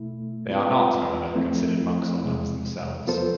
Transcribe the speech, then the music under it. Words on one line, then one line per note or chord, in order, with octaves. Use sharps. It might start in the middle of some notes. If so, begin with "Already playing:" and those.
They are not, however, considered monks or nuns themselves.
Already playing: B2 A3 E4
G#3 C4 F4 B4
F3 A3 C4 E4
E2 C3 G#3
F3 B3 F4 A4 C5